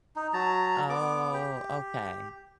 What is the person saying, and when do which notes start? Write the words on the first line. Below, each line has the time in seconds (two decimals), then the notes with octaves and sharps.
Oh, okay.
0.16 D#4
0.33 F#3 A5 A#5
0.89 B3 D6
1.33 G4